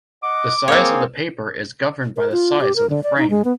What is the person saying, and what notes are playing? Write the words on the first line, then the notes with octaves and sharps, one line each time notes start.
The size of the paper is governed by the size of the frame.
D#5 F#5 D6
A#3 C4 G#4 C#5 F5 G#5
A#4
F4
G4
A#4
D3
D5
D#4
G#3
B3